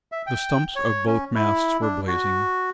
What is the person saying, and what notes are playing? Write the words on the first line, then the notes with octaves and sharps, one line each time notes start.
The stumps of both masts were blazing.
E5
G5
C#5
C#4
E4
D4
F#4